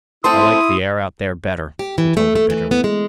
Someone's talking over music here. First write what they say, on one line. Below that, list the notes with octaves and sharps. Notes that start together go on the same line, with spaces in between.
"I liked the air out there better," he told her bitterly.
A3 C4 E4 A4 C6 D#6
G4
E3
A3
A3
E3
B3
G#3